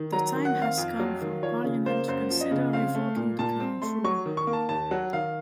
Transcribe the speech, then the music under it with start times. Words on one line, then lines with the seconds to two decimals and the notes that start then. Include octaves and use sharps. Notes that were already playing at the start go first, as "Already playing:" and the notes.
The time has come for Parliament to consider revoking the current rule.
Already playing: D#3
0.12 F#3 A#5
0.34 D#3
0.45 F#5
0.56 C4
0.62 F5
0.78 F2
1.00 F#3
1.21 D#3
1.43 F3 C#5
1.64 C#3
1.86 A#3 C5
2.08 F#2 C5
2.30 F3
2.40 D#5
2.51 C#3
2.73 C4 F5
2.95 A3
3.16 A#2
3.39 A#2 A5
3.60 C4
3.82 A3 C6
4.04 F#3 C#6
4.26 D#3
4.37 C#6
4.47 A#3
4.53 A5
4.69 D#2 A5
4.91 F#3 F#5
5.13 D#3 F5